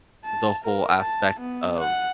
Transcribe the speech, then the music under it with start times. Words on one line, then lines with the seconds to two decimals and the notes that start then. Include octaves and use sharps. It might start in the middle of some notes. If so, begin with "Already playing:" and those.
the whole aspect of
0.25 A5
0.64 A#4
1.00 A5
1.40 B3
1.80 F#5